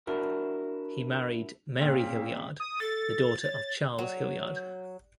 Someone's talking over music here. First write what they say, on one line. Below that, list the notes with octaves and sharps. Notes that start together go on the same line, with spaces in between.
He married Mary Hillyard, the daughter of Charles Hillyard.
D4 E4 F#4 A#4
A#2 C#3 C4
D#6
A4 A6
C#5
F#3